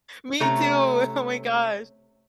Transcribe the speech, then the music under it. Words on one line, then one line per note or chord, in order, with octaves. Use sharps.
Me too, oh my gosh.
C3 A3 C#4 A#5